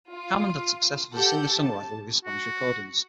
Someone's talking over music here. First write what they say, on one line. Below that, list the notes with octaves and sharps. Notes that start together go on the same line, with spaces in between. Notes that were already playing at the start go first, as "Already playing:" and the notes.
Hammond had success as a singer-songwriter with his Spanish recordings.
F4
G4 A4 F#5 G6
A5
F#4